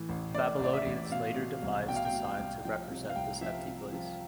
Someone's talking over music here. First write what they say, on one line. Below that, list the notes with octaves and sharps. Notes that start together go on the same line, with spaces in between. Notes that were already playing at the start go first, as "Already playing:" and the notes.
Babylonians later devised a sign to represent this empty place.
Already playing: A2 E3
A1
A2 D5
A1 D5
E5
A1
B2 F5
B2
C2
B2 G5
F5
G5
B2
C2
F3 G5
C3
F5
C2 G5
F3 E5
C3
F3